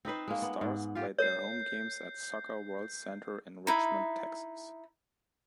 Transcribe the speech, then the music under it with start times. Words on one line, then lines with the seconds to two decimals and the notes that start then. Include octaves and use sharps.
The Stars played their home games at Soccer World Center in Richmond, Texas.
0.05 C4 D#4 B4 C5
0.28 G#3 A#3
0.42 B3
0.61 G#2
0.95 F4 G4
1.19 A#4 C#5 G6 C7
3.67 D#4 E4